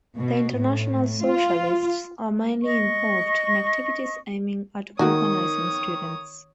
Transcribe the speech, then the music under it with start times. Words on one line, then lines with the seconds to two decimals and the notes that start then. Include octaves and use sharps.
The International Socialists are mainly involved in activities aiming at organising students.
0.17 B2
0.56 A2
1.24 F4
2.64 D#5 C#6
4.99 D#3 A#3 F#4 A#4 C#5 D#6